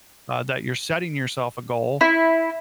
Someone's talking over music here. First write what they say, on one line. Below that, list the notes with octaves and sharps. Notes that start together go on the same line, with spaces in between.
uh, that you're setting yourself a goal
E4